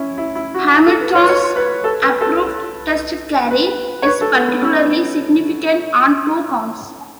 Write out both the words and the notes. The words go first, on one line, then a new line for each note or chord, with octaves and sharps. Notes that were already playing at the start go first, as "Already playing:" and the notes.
Hamilton's abrupt test career is particularly significant on two counts.
Already playing: C#4 E4
E4
E4
F#4
A4
B4
C#5
B4
C#5
B4
A4
B4
A4
B4
C#5
B4
A4
B3
B3
C#4